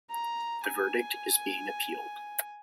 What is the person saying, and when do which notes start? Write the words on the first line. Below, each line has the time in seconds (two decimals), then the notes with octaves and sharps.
The verdict is being appealed.
0.10 A#5
0.65 G#5